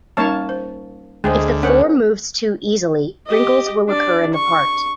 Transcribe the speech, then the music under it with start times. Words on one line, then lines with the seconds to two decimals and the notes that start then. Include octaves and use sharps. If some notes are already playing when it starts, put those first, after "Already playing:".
If the form moves too easily, wrinkles will occur in the part.
0.17 G3 A#3 C#4 D#4 C#5 A5
0.49 C5
1.24 D2 G#3 G#4 C5 G5
1.63 C#4 A#4 C5 F#5
3.26 G4 D#5
3.88 D4 D5
4.34 C#6